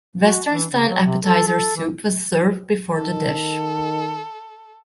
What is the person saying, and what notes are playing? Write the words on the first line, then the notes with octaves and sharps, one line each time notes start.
Western-style appetizer soup was served before the dish.
F#4
E3
C#3
F#3
C3
A4
A4
E3
D#3 A4